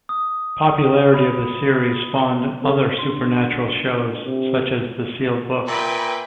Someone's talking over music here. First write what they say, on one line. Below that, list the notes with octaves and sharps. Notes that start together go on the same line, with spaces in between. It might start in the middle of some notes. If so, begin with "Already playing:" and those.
The popularity of the series spawned other supernatural shows, such as "The Sealed Book".
D#6
B5
C4 A4
D4 C6
C3
A#2 B4 E5 G5 G#5